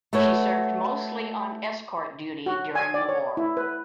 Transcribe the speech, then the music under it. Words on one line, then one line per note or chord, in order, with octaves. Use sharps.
She served mostly on escort duty during the war.
A3 F#4 A4 B4 C#5
F#4
G#5
D5
C#5
E4
B4